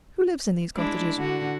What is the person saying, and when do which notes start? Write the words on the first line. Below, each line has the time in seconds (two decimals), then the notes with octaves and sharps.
Who lives in these cottages?'
0.77 G#3 D4 E4
1.17 D3 F#4